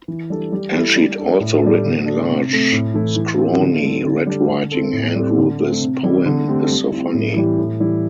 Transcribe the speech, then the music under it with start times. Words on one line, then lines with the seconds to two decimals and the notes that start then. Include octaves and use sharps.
And she'd also written in large, scrawny red writing, Andrew-this poem is so funny.
0.08 E3
0.30 G3 D4 A4
0.52 G3
0.74 E4 A4
0.96 G3
1.18 D4 A4
1.40 A2
1.62 G3 D4 A4
1.84 D3
2.06 A3 D4
2.29 C3
2.51 A3 C4
2.72 A2
2.94 E3 A3 E4
3.16 E3
3.38 C4 E4 G4
3.61 D3
3.83 A3 C4 A4
4.05 D3
4.27 G3 D4 A4
4.49 D3
4.71 C4 A4
4.93 A2
5.16 G3 C4 A4
5.38 D3
5.59 A3 C4
5.81 C3
6.03 E3 G3 E4
6.26 D3
6.48 A3 C4 G4
6.70 G3
6.92 C4 E4
7.14 A2
7.36 E3 G3 E4 G4
7.58 A2
7.80 E3 G3 E4